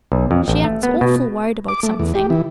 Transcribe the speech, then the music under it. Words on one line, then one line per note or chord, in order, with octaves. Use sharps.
She acts awfully worried about something.
B1
F2
A1
A3
B3
B2
D6
A3
E2
G4
E3